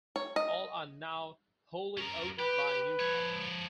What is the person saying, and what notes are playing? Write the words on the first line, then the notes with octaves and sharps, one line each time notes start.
All are now wholly owned by Newcap.
C#5
D#5
C#4 A#4
G4 B4 G5
F3 C#5